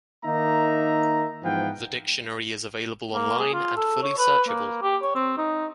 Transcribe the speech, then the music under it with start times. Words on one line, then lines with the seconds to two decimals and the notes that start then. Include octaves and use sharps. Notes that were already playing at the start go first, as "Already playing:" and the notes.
The dictionary is available online and fully searchable.
0.24 D#3 A#3 D#4 E5 A#5
1.43 G#2 E3 F3 B3 F5 G5
3.14 A#3
3.39 G#4
3.54 F4
3.77 A4
4.02 C#5
4.18 B4
4.49 A#3
4.83 G4
5.02 C#5
5.15 C4
5.38 D#4